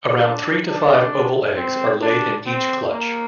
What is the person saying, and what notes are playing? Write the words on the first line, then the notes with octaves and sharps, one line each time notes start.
Around three to five oval eggs are laid in each clutch.
D4
D4
C4
D4
C4
A#3